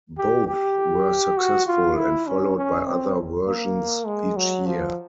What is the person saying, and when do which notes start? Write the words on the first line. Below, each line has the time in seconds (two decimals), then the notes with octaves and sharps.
Both were successful and followed by other versions each year.
0.18 G4
0.47 G4
1.37 F#4
1.67 F4
1.97 E4
2.27 C#4
2.57 C#4
2.87 C4
3.47 A#3
4.07 G#3
4.37 F#3
4.66 F3